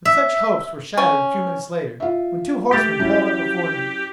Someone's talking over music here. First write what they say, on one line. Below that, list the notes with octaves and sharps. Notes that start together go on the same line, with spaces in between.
But such hopes were shattered a few minutes later when two horsemen pulled up before them.
E5
C#4
F4 E5
A3 G4 A6
F#3 C#4 E4